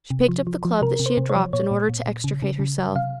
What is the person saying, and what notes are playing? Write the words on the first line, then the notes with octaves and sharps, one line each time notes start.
She picked up the club that she had dropped in order to extricate herself.
C3
F3
F3
F3
C3 A#4
C3
C5
C3
C#5
F3
A#2 C#5
A#2
A#2
A#2
C#3
C#3
C#3
F#3
C3 F5